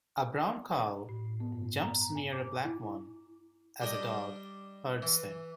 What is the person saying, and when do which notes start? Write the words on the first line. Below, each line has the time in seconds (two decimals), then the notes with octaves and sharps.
A brown cow jumps near a black one as a dog herds them.
1.09 A2
1.40 B3
1.52 G2
1.81 A#5
2.01 A#5
2.16 G#5
2.33 D6
2.65 E4
3.81 G3 D4 D#5
5.02 E3